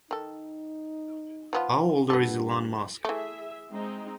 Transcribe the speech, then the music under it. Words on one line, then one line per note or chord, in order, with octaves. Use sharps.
How older is Elon Musk?
D#3 D#4 A4
F3 B3 F4
G2 B3 A4
E3 A3 G#4 E5
G#3 C4 D#4